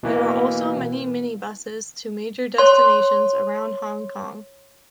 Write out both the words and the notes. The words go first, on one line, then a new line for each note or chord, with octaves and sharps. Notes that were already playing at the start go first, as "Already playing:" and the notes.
There are also many minibuses to major destinations around Hong Kong.
B2 E3 A#3
C#5 C6